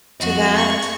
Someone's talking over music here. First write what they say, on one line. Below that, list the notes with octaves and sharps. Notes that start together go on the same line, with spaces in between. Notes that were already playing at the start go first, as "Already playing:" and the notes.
to that.
F2 F#4 D#5
C#6